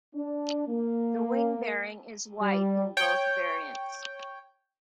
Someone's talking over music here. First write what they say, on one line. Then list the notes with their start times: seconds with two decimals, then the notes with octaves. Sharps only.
The wing barring is white in both variants.
0.14 D4
0.67 A#3
2.41 G3
2.97 C#5 G5